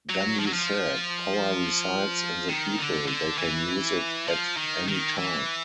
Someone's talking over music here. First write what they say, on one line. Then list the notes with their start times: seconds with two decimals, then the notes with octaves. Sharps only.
Gandhi said: Power resides in the people, they can use it at any time.
0.09 F#3
0.39 F3
0.46 F#3
0.53 F3
2.49 D#3
2.78 D3
3.08 D3
3.38 E3
4.28 F3
4.57 D#3
4.88 D#3
5.17 E3